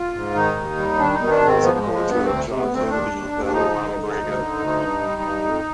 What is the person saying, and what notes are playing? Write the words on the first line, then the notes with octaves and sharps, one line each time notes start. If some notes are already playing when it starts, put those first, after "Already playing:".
One was the portrait of John Kennedy, the other Ronald Reagan.
Already playing: F4
G#2
D#3 D#4
D#2
G3
D#3 D4
D#4
D#3
D4
G#2
C4
F3 B3
G#3
F3
G#3
G2 B3
D2 C4
C3
B3
D2
C4
D#2 D4
D#2
D#2
D4
F3 D#4
D3
D3
D2
D3
D2
G2
G3
G2
F2